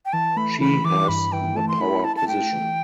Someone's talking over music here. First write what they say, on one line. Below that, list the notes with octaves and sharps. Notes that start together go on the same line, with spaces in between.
She has the power position.
G5
E3 A5
A3 B5
E3 B5
E3 D6
G2 B5
E3 G5
A3 A5
C6
E4 B5
E4 A5
A5
A3 G5
E3